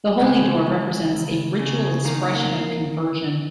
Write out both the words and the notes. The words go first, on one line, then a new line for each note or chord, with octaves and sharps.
The Holy Door represents "a ritual expression of conversion".
C#3 G#3
C#2
C#2
C#3
D#3 A#3
A#3